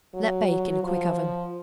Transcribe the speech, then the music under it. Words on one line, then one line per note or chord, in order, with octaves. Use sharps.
Let bake in a quick oven.
F#3
F#3
F3